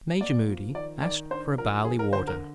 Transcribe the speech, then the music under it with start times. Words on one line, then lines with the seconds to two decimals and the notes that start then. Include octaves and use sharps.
Major Moody asked for barley-water.
0.21 A#3 D5
0.48 F3
0.75 D#3 D5
1.03 D#3 D5
1.30 D4 C5
1.58 F3 A#4
1.85 F3 G#4
1.99 A#4
2.13 D3 C5
2.27 A#4